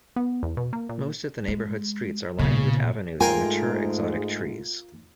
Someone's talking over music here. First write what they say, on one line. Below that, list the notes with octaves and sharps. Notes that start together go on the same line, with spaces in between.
Most of the neighbourhood's streets are lined with avenues of mature exotic trees.
B3
E2
B2
A#3
A#2
G#3
B1 A#2 C#3
G#2 G#3 A3 F4 A#4 G5 G#5